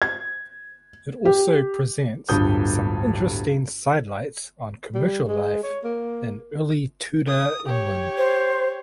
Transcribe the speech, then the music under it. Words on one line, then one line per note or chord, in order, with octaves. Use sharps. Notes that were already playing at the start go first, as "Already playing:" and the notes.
It also presents some interesting sidelights on commercial life in early Tudor England.
G#6
G4
D1 G1 G2 F4 D#6 G6
G3
G#3
C#5
A#3
D#6
G4 C#5
C5